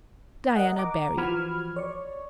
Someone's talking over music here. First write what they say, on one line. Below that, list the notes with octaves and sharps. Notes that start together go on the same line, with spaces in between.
Diana Barry.
A#4 D#5 F#5
A#5 D6
E3 F3 F#4 B5 F6 G#6
C#5 D5 C#6